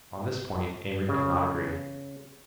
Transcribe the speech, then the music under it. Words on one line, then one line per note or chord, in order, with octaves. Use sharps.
On this point Amory could not agree.
C#3